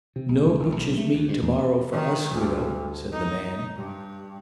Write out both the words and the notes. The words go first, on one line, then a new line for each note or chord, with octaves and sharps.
"No butcher's meat to-morrow for us, widow," said the man.
C3
B1
C#2
D#1
B1
A3
D2
G2
E2
D#3
D2 G2
D#4
G2